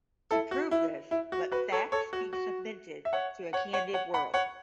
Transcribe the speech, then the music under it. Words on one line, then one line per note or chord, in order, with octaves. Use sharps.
To prove this, let Facts be submitted to a candid world.
E4 A4
F#4
E4
E4
F#4
F#4 B4
A4 C#5
A4 C#5
F#4
F#4
E5
C#5 F#5
C#5 F#5
C#5 F#5
C#5 F#5
F#5 B5
C#5 F#5